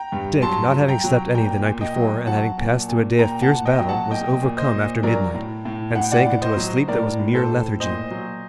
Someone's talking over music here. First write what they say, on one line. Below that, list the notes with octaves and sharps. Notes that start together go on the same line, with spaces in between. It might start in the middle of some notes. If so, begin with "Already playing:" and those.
Dick, not having slept any the night before, and having passed through a day of fierce battle, was overcome after midnight, and sank into a sleep that was mere lethargy.
Already playing: G5 A#5
G2
F#3 A5 C6
F#3
G5 A#5
F#3
A#2 G5 A#5
A#2
D#5 G5
F#3
F#3 F#5 A5
A#2
A#2
A#2 G5 A#5
F#5 A5
A#2
D#5 G5
F#3
F#5 A5
A#2 D#5 G5
A#2
C5 D#5
A#2
F#3 A#4 D5
A2
A2
A2 F#5
G5
D5 F#5
A2
C5 D#5
F#3
A2 A#4 D5
A2
A4 C5
A2
A#2 C5 D#5
F#3